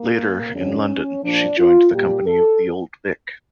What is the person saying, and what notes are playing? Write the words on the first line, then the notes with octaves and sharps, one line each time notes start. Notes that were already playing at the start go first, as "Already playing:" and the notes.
Later, in London, she joined the company of The Old Vic.
Already playing: A#3
F2 D3 G3 C#4
A#2 F3 D4
F4
A#2 G3 G4
A4